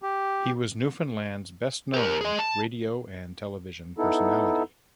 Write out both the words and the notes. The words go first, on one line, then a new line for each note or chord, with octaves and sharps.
He was Newfoundland's best known radio and television personality.
G4
G4 A#4
G#4 D#5
A5
B3 D#4 E4 A4